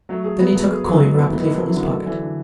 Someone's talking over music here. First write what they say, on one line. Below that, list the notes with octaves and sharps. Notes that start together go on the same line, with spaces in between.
Then he took a coin rapidly from his pocket.
F#3 A3
G#4
B3
F#3
G#4
F#3
F#3 G#3
A3
E3 B3
D#3
C#3 B3
C3 E4
C3
F#3
C3
D3 D#3 F#3
D3 A3
E3
D4